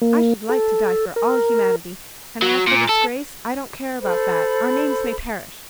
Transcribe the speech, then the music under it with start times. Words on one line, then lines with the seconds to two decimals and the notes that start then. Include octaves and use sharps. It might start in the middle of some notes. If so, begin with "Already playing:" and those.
I should like to die for all humanity, and as for disgrace, I don't care about that--our names may perish.
0.02 A#3
0.49 A4
1.16 A#4
2.42 F#3
2.67 A#2
2.89 A4
4.01 A4 C5 B5